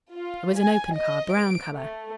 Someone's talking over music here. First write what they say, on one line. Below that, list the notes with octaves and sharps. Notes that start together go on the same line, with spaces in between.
It was an open car, brown colour.
F4
G#5
D#5
D7
A3